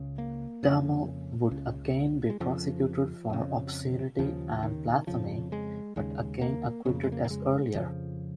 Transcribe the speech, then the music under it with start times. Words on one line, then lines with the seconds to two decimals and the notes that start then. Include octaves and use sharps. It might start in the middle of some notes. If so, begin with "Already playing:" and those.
Dehmel would again be prosecuted for obscenity and blasphemy, but again acquitted as earlier.
Already playing: C#2 C#3
0.18 A#3
0.63 F2 C#3
1.51 C#2 C#3
2.30 G#3
2.40 F2 C#3 F3
3.30 F2 C#3
4.19 D#2 C#3 F3
4.63 D#3
5.07 F2 C#3 F3
5.52 G#3
5.96 D#2 C#3 G#3
6.41 A#3
6.85 F2 C#3 C#4
6.95 A#3
7.03 G#3
7.12 A#3
7.24 A#3
7.31 G#3
7.75 F2 C#3 F3